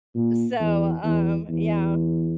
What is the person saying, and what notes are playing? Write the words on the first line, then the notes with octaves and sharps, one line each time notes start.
So, um, yeah.
A#2
E2
E2
E2